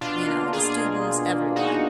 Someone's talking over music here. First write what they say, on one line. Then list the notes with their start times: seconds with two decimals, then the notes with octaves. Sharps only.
you know, the students, everyone.
0.01 B2 D4 F4
0.27 A#3
0.53 B2 F4 G#4
0.79 A#3
1.05 B2
1.31 A#3
1.56 B2 D#4 F#4